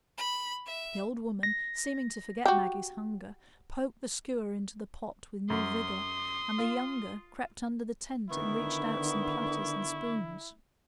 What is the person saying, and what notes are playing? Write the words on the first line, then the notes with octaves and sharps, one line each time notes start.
The old woman, seeming to forget Maggie's hunger, poked the skewer into the pot with new vigor, and the younger crept under the tent and reached out some platters and spoons.
B5
E5
A#6
F#4 G4
F#2 C6 D#6
F4
D3 D#3 B3 E4 C#6